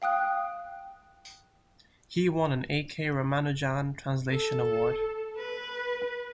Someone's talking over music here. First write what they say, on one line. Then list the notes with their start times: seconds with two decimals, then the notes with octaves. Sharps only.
He won an A. K. Ramanujan Translation Award.
0.02 F5 G5 D#6 F#6
4.31 A4
5.38 B4